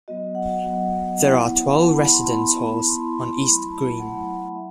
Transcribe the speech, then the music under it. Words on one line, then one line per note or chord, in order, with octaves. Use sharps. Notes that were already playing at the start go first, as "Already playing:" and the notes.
There are twelve residence halls on East Green.
F#3 B3 F#4 D#5
F#5
F#3 B3 F#4 F#5
B3 E4
B3 E4 A5
B5
C6
A5
B3 E4 B5
B3 E4 C6
F#3 A3 E4 B5
A5
F#3 A3 E4 F#5
E5